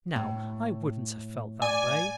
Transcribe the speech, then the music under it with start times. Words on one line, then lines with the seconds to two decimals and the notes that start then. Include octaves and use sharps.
Now, I wouldn't have felt that way.
0.16 A2
1.62 D5 G#5